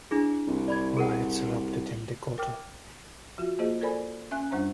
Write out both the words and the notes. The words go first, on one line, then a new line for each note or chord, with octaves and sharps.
Riots erupted in Decoto.
D4 E4 G#4
C2
D5 B5 G#6
G#4 A#4 F#5
A#4 G5 D6 F6
F3 F4 F#4
A#3 F4 G#4 C5 D#5
A4 A#4 C5 D5 G#5 B5
C#4 E5 G#5 F#6
F#2 G3 D4 C5 E5 A#5